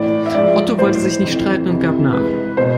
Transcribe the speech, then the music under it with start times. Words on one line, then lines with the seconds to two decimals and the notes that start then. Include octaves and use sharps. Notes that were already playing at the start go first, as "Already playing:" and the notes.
Otto wollte sich nicht streiten und gab nach.
Already playing: A2 E3 D5
0.26 E5
0.34 G#2 F3 D5
0.78 A2 E3 C5
1.24 F2 E3
1.68 F2 C3 E3
2.13 G#2 E3 B4
2.57 B2 C5